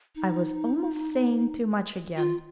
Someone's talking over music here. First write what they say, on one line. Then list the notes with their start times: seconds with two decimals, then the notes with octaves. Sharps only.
I was almost saying too much again.
0.15 D#4
2.16 F4